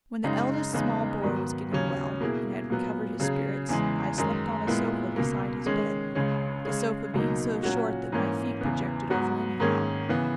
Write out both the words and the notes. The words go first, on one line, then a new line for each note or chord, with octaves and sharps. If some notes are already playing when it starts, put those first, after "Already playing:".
When the eldest small boy was getting well, and had recovered his spirits, I slept on a sofa beside his bed--the sofa being so short that my feet projected over anyhow.
F#2 C#3 G#3 D#4
E2 C#3 G#3 B3 D#4
G#2 D#3 F#3 B3
D#2 C#3 F#3 C#4
B2 A#3 E4 G#4
A#2 F#3 B3
C#3 F#3 C#4 G#4
E2 C#3 E3 G#3
F#2 D#3 G#3
A#2 G#3 B3 E4
C#2 B2 A#3
D#3 G#3 C#4 G#4
C#2 C#3 G#3 C#4 G#4
C#3 G#3 C#4 G#4
C#2 B2 F#3 A#3 D#4
A#2 F#3 C#4 F#4
G#2 E3 A#3 C#4
E2 C#3 E3 B3
G#2 F#3 B3 F#4
G#2 D#3 A#3 C#4 G#4
C#3 E3 B3